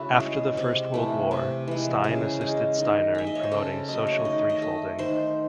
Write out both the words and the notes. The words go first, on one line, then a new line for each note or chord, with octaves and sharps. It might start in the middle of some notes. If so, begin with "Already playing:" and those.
After the First World War, Stein assisted Steiner in promoting Social Threefolding.
Already playing: C#3 A3 E4 F#4
G#3 G#4
C3
E3 A3
C3
E3 G#3
C#3 G#4
G#3
D#3
G#3 E5
D#5
C#5
C5
C#3 A4
F#3 A3 D#5
C#5
D#3 D#5
D#5
A3
D#3 C5